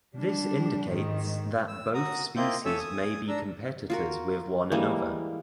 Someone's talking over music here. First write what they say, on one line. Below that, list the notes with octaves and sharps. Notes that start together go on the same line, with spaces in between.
This indicates that both species may be competitors with one another.
G3 D4
G#2 D#3
E6
F#4 A#5 D#6
A#3 C4 E4 F4 D#5 G6
A3 A4 C#5 E5 G#5 E6
G#5 D#6
D4 A#5 E6
F4 F#4 A#4
E3 G3 G#3 A#3